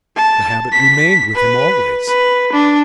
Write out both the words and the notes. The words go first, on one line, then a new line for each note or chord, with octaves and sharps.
The habit remained with him always.
A5
B6
B4
B4
D4